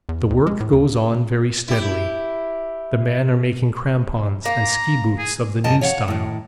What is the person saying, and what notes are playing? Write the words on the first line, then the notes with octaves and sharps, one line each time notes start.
The work goes on very steadily--the men are making crampons and ski boots of the new style.
E2
D2
G#3
A2
D#2
E4 G4
A#3 A#5
G#4
G2 C#3 A#4 D#5 A5
C#5 F5 F#5
A2 D#3